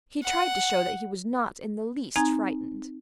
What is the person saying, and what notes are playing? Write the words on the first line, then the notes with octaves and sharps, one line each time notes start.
He tried to show that he was not in the least frightened.
F#5
C4 D#4 G#5 A#5 G#6